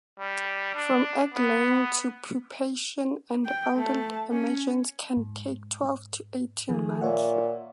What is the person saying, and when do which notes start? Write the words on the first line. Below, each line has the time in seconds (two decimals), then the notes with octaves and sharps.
From egg-laying to pupation and adult emergence can take twelve to eighteen months.
0.19 G3
0.75 D4
1.35 B3
3.45 G5
3.75 A3 A5
4.33 C#4
5.17 G#2
6.69 D#3 F3 G#4
7.01 A#2 C#5 E5 F#5